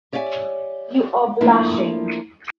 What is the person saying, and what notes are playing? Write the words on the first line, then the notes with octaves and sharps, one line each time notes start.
You are blushing.
G4 C#5 D5 E5 F#5 G#5
F3 A3 A#3 D4 E4